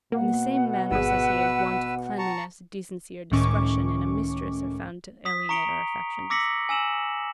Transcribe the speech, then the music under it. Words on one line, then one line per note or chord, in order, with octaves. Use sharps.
In the same manner, says he, as want of cleanliness, decency, or discretion in a mistress are found to alienate our affections.
B2 A#3 F#5
G#1 G#4 B4 E6
A5 A#5 C#6
C#2 A2 D#3 C#4 C#6 D6
D#6 B6
A#5 C#6 C#7 D7 F7 G7
D6 E6 A#6 B6 C#7 F#7
G#5 E6 E7 F#7